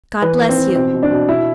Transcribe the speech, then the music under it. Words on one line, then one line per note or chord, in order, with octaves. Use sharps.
God bless you.
E3 B4
E3
C4
E3
B2 C4
B2
D4
B2
B2 E4